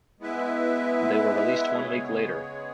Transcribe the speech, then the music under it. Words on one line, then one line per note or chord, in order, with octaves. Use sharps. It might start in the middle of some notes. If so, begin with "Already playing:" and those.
They were released one week later.
G#3 B3 E4 B4 E5
C#3 G#3 B3 G#4 C#5